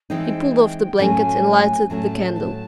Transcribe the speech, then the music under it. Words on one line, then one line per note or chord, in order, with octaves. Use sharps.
He pulled off the blanket and lighted the candle.
E3 G#3 C4 D#4 G5
A2 F#3 A3 C#4 G#5
A2 F#3 A3 C#4 A5
A5